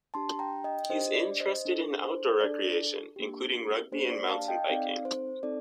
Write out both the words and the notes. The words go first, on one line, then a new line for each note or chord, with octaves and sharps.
He is interested in outdoor recreation, including rugby and mountain biking.
D4 G4 A5 C6
G5 A#5
D#5 G5
D4 G4 C5 D#5
D5
C5 D#5
D4 A4
C5
D4 A4 D5
A#3 D4 G4
A#3 D4 G4 C5
D5
F5 A5
D#5 G5
C4 D#4 A4 D5 F5
C5
C4 D#4 A4 D5